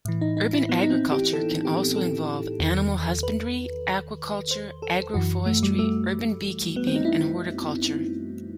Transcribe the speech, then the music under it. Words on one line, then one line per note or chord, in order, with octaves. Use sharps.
Urban agriculture can also involve animal husbandry, aquaculture, agroforestry, urban beekeeping, and horticulture.
A2 E3
D#4
D#4
E4
B3
D#4
C4
G4
A4
G4
A4
E2 D#3
B4
C5
A4
F#2 E3 F#4
A3
G3
A3
B3
C4
D#4
E4